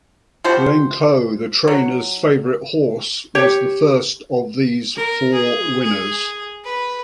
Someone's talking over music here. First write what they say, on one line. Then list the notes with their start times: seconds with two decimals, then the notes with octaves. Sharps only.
Glencoe, the trainer's favourite horse, was the first of these four winners.
0.44 F3 G3 F#4 C5
1.68 F#3
3.35 G4 C#5
4.96 A#4
5.33 G#4
5.83 G#4
6.64 B4